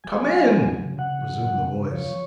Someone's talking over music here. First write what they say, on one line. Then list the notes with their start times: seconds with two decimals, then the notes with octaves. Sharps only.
"Come in," resumed the voice.
0.04 F#3 G#5
0.28 F#3
0.51 F#3
0.75 C#3
0.98 C#3 F#5
1.21 F#3
1.45 C#3
1.68 C#3
1.92 F3 C#5